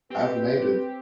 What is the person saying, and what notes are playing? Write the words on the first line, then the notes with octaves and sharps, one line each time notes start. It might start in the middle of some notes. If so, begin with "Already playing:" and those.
I've made it.
C4 G4 B4